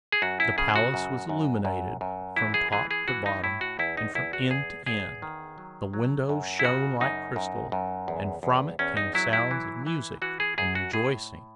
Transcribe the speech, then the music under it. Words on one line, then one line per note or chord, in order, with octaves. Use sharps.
The palace was illuminated from top to bottom and from end to end; the windows shone like crystal, and from it came sounds of music and rejoicing.
G#4
F#2 F#4
E4
C#3 G#4
F#4
F#2
F#2
F#2
F#2
E3 E4
G#4
E3 G#4
G#4
E3 F#4
D#4
A2 E4
F#4
E2 E4
D#4
E2 E4
F#4
E2 G#4
E2 G#4
D#3
F#3
F#3
F#2
E4
C#3 F#4
F#2 D#4
F#2
F#2
E2
E2
E2 C#4
D#4
F#3 E4
E4
E3
E3
E3 F#4
G#4
F#2 G#4
F#4
A2 G#4